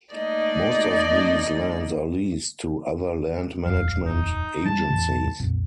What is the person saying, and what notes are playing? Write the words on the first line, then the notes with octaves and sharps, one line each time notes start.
Most of these lands are leased to other land management agencies.
A3 A#3 D#4 D5 D#5
D#1 F2 F5
D#4
F3 G3 A5
E2 A2 C#3
B1 F2 A#2